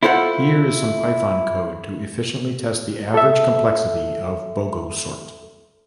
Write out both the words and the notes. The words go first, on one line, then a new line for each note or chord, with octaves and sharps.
Here is some Python code to efficiently test the average complexity of Bogosort.
E4 F4 A4 C5 F#5
A4 E5